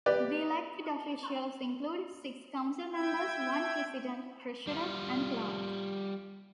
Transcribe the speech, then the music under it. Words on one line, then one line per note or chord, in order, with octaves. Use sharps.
The elected officials include: six council members, one president, treasurer and clerk.
G4 B4 D5
E5 G5 G#6
G3 F4